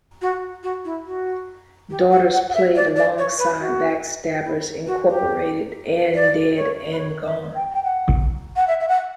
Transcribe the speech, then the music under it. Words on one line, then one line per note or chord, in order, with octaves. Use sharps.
Daughters played alongside Backstabbers Incorporated and Dead and Gone.
F#4
F#4
E4
F#4
G4
F#5
F#5
F#5
E5
D5
D5
C#5
B4
F#4
E4
F#4
G4
D5
C#5
B4
C#5
E5
G5
G5
F#5
F#5
E5
E5
F#5